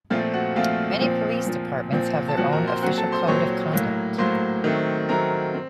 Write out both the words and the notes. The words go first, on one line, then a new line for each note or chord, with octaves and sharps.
Many police departments have their own official code of conduct.
A#2 F3 A3 C4 F4 F5
F#4 F#5
A#2 F3 A3 C4 F4 F5
A#2 F3 C4
A#2 F3 C4
A#2 F3 C4
A5
A#2 F3 C4 F#4 F#5
A#4 A#5
C5 C6
A#2 F#3 C4 F#4 F#5
A4 A5
C5 C6
A#2 F#3 C4 C#5 C#6
A2 F#3 A#3
A2 F#3 A#3 C5 C6
D#3 F#3 A3 C4
D#3 F#3 A3 C4 A#4 A#5
C4